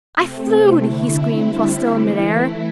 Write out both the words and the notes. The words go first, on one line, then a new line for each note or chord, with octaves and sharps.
"I flewed!" he screamed while still in mid-air.
C3 A3 C4
D3 A3 E4
D3 G3 C4 E4
E3 A3 E4